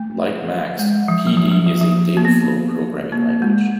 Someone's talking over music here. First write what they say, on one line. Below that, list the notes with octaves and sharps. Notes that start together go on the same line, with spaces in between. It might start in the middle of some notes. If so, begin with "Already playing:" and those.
Like Max, Pd is a data flow programming language.
Already playing: A3
G#3
F3
F#3
F3
F#3
F3
F3
A#3
B3
A#3
G#3